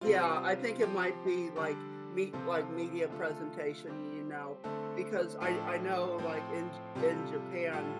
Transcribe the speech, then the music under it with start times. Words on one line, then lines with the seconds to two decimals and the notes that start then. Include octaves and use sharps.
Yeah, I think it might be like me like media presentation, you know, because I I know like in in Japan,
0.01 C3 G3 C4 F4
0.79 F3 C4 G4
1.56 D3 G3 D4 A4
2.33 C3 F3 C4 F4 A4
3.10 D3 A3 F4 A4
3.87 G3 C4 G4
4.64 D3 A3 C4 A4
5.40 A2 F3 A3 D4 A4
6.18 A2 F3 C4
6.95 C3 G3 F4 A4
7.72 A2 G3 F4 A4